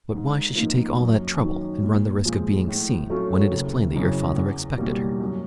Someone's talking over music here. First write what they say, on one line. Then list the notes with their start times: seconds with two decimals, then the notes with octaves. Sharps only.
"But why should she take all that trouble, and run the risk of being seen, when it is plain that your father expected her?"
0.13 G#2
0.55 F3 A#3 D#4
0.98 F#2
1.40 D#3 F#3
1.82 A#2
2.25 F3 G#3
2.68 A2
3.10 F#3 A3 C#4 F4
3.52 F#1
3.94 F#2 C#3 E3
4.35 E2
4.78 B2 G3 A#3
5.20 F#2